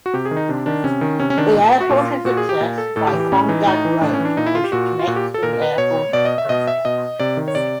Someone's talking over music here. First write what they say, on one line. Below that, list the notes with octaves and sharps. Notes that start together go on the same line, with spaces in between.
The airport is accessed by Konggang Road, which connects to the Airport Expressway.
F#4
C3 G4
G#4
D#3
D#4
C3 D4
D#3 D4
C3 C#4
D#3
C3 C#4
C#4
D#3 D4
A#2
F#4
A#2 F4
A#2 F#4
G#4
G4
A#2
A4
A2 A4
G4
E3
G4
A2 C#4
E3 D#4
A2 D#4
E3
A2 D4
C#4
E3
D4
A#2 D#4
E4
F4
G4
A#2 F#4
F4
A#2 F#4
G4
A4
A#2 A#4
A#4
B4
B2 C#5
B2 D5
D#5
E5
B2 D#5
E5
B2 D#5
C3 D5
D#3
C#5
C3 D5